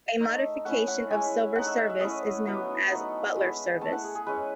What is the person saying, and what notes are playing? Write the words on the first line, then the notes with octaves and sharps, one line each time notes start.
A modification of silver service is known as butler service.
A3 D#4 E5
A3 C#4 E4 F#5
F#5
G#3 C#4 E4 G#5
A3 D#4 F#5
E5
E5
E5
A3 C#4 E4 D#5
F#3 B3 E4 E5
A3 D#4 F#5
G#3 B3 E4
A3 E4 A5
F#5
G#4
G#4
G#3 C#4 E4 B4